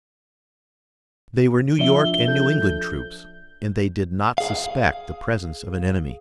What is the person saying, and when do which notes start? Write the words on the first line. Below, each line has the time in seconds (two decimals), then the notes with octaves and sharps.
They were New York and New England troops and they did not suspect the presence of an enemy.
1.79 F3 D4 E5 G7
2.28 A4 G6
4.38 G#4 F5